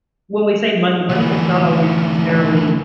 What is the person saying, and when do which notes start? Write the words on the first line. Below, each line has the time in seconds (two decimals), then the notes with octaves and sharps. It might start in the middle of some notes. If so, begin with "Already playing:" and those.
When we say, "money," money is not always necessarily
1.09 D2 E3